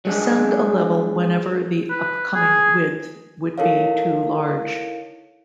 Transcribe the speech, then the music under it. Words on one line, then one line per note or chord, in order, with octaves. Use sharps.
Descend a level whenever the upcoming width would be too large.
F#3 G#3 D4
B4
G#4
D#4 E4 A4 A#4 C#5 F5